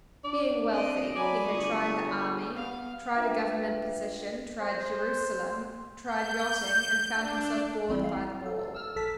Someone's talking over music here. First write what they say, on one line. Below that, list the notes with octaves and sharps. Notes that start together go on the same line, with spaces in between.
Being wealthy, he had tried the army, tried a Government position, tried Jerusalem, tried yachting and found himself bored by them all.
D4 D5
C4 D4 D#5 D7
F#3 D5 G#5 B5
G1 C#6 D#6
G#4
B3 F5
D4 F4 B4 E5 F5 G5
C5
G6
D4
A1 G3 C4 E4
F5
A4
E6 F6
A#1 A4 A5 B6